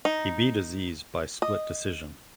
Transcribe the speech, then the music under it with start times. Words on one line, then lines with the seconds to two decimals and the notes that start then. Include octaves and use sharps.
He beat Aziz by split decision.
0.05 D#4
1.42 D#5